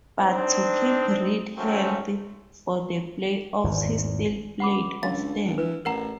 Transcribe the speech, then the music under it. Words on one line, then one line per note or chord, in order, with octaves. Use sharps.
But, to keep Reed healthy for the playoffs, he still played often.
C4 D4 D#4
G#1 F#3 G#3 A3 C4 C#4
G#1 E2
C#2 F#5 B5 D6
C#2 D4 F5 A6
D1
E3 B4
A1 A#4 F#5 A#5